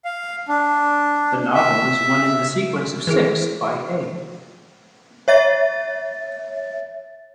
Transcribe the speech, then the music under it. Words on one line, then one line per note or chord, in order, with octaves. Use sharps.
The novel is one in the sequence of six by A.
F5
D4
E5
E3 E4 G#4 A#4
C#5 E5 A6